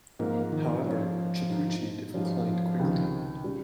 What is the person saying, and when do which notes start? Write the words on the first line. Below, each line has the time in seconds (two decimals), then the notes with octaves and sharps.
However, Chiappucci declined quickly.
0.19 G#2 F3 A#3 C4
0.52 D#3
0.84 G#2 F3 G3 C#4
1.49 G#2 G3 C4 D#4
2.14 G#2 F3 G3 C#4
2.79 C#2 C3 D#3
3.44 C#3 G3